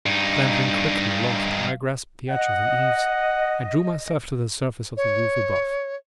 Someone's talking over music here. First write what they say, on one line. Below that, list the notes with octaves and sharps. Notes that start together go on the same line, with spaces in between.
Clambering quickly aloft I grasped the edge of the eaves and drew myself to the surface of the roof above.
G2 D#4
D#5 F#5
C#5